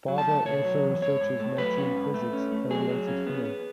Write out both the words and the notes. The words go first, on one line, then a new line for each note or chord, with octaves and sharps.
Barbour also researches Machian physics, a related field.
F#3
A5
A3
B2 C#5
F#3
E2
G#2 C#5
G#2
A3
F#3 B4
C#4
G#2
A3
C#4
A3
F#3 G#4
F#3
C#4
B3
B3